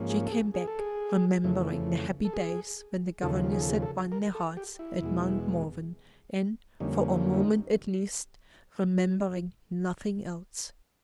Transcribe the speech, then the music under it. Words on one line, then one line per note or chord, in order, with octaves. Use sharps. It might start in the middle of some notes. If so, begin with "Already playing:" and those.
She came back; remembering the happy days when the governess had won their hearts at Mount Morven, and, for a moment at least, remembering nothing else.
Already playing: G#2 F3 A#3 C#4
G#4
A4
G#4
G#4
A4
G#4
F2 C#3 E3 A3
A4
G#4
D#2 C#3 F3 A4
G#4
A4
G#4
A4
A#4
A4
G4
E4
E2 B2 G#3
F2 D3 G3 A#3 C#4 D#4
E4
E4
D#4